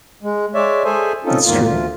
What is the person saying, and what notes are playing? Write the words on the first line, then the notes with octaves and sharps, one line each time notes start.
That's true.
G#3
G#3 C#5 D5 E5
G#4 A4 C5 E5 G#5
C4 C#4 D#4 F4 A4
E2 G#2 D#3 A#3 F4
D2 F4